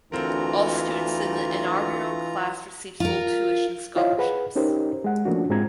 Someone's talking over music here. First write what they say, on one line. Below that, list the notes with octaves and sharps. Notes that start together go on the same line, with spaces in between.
All students in the inaugural class received full tuition scholarships.
D2 D3 E3 C4 F4 A#4 A#5
F4 A#4
E4 F4 C5 C#5 D#5 F5
G#4 B4 F#5 B5
C#4 D#4 G4 A#4 C5
G#3 F#5
F3 A3 A#3 C#4 D4 F#4
G#2 G#3 C4 F4 A#5 G#6